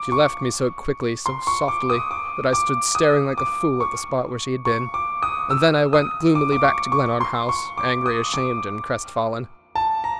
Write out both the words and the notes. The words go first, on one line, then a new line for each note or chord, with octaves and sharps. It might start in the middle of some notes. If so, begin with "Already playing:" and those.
She left me so quickly, so softly, that I stood staring like a fool at the spot where she had been, and then I went gloomily back to Glenarm House, angry, ashamed and crestfallen.
Already playing: D6
C#6
C6
C#6
D6
D#6
D6
D6
D#6
D6
C#6
C#6
D6
D#6
E6
D#6
D6
D6
C#6
C#6
C6
C#6
D6
D#6
D6
A5
A#5